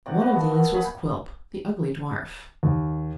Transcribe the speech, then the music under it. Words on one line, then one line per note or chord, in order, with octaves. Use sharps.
One of these was Quilp, the ugly dwarf.
C3 F#4 D5 F#5
F#4 B4
A#3 D#5 A5
E4 F#4
G#4 G#5 B5 C#6
D#2